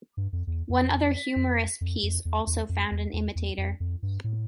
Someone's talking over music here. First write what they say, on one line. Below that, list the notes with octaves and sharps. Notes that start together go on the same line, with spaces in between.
One other humorous piece also found an imitator.
G2
F2
E2
F2
F2
F2
F2
E2
E2
F2
E2
E2
E2
F2
F2
G2
A2